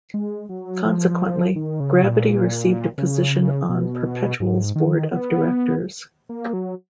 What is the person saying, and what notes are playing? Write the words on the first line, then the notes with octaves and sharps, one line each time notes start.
Consequently, Gravity received a position on Perpetual's board of directors.
G#3
F#3
F3
D#3
C#3
A#2
C#3
B2
G#2
D#3
B3
A#3
F#3